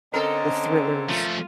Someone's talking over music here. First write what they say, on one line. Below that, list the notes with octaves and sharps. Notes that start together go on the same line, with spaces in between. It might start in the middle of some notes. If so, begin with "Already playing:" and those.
the thrillers,
D3 C4 C#4 A4 A#4 D#5
F3 A3 F4